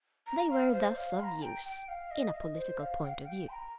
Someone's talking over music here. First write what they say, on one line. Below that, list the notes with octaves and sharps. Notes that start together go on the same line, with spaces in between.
They were thus of use in a political point of view.
A#5
F5
C5
F5
C6
A#5
G5
G5
F5
D#5
F5
D#5
C5
F5
G5
F5
G5
C6
A#5